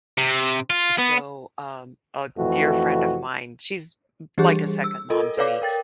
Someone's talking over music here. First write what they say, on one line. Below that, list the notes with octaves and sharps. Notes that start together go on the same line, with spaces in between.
So, um, a dear friend of mine, she's l like a second mom to me,
C3
F4
B3
F2 E3 A3 F#4
E3 G3 D4 G4 G#4
E6
F4 A4 A#4 D#5
A4 B4 C#5 D5 F5 D6
A#4 G5 A6